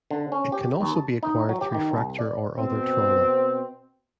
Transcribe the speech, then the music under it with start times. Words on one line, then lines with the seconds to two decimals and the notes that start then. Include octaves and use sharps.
It can also be acquired through fracture or other trauma.
0.11 D3
0.32 C#4
0.52 G4
0.81 D#2
0.96 A5
1.23 D#4
1.49 F#3
1.61 G4
1.74 D#3
1.93 C2
2.19 D5
2.57 B2 C4